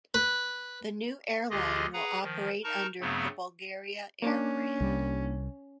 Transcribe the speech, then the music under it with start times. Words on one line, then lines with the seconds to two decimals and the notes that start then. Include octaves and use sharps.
The new airline will operate under the Bulgaria Air brand.
0.14 B4
1.50 D2 D3 F4 G4 G#4 D#5
1.93 G#4 B4 F#5 A#5
2.22 D#3 F3
2.64 D#4 A#4 A5 A#5 C#6
3.01 G2 C#3 F#3 A3 B3 C4
4.22 A#3 C#4 D4
4.80 C2 G3